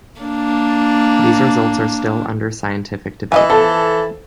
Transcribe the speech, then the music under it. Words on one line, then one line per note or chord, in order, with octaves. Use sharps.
These results are still under scientific debate.
A#3 D4
E3 D#5 F#5 G#5
F3 A4